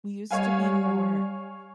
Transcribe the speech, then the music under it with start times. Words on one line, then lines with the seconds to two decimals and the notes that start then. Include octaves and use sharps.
We used to be more
0.31 G3 C#5 F5 G#5